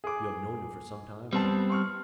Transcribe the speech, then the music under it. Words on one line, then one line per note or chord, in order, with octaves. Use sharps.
"You have known him for some time, then?"
G#4 D6
G3 B3 C4 A5
C6 C#6 F6